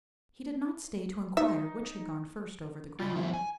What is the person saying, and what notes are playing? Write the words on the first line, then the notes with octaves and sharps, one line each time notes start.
He did not stay to inquire which had gone first over the ground.
D#4 E5
C#3 F4
F3 G3 B3 E4 G4 E5
G#5